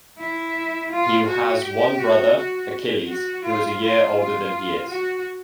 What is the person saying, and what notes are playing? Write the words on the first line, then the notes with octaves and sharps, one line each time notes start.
He has one brother, Achilles, who is a year older than he is.
E4
F4
F#4
G4
F#4
F#4
F#4
F4
F4
F4
F#4